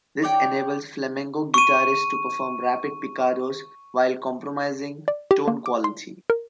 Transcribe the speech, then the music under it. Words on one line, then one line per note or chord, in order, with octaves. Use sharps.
This enables flamenco guitarists to perform rapid picados while compromising tone quality.
C#5 D5 G5
C#6 D#7
D5
G4
A#3
D6
C6
A#4